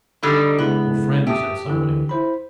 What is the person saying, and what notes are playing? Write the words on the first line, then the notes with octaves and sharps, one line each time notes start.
"Your friend," said somebody.
D3 G3 D#4 B5 E6 A6
C#3 G#3 B3 E4
G4 E5 A5 D#6
D3 E3
E4 C5 B5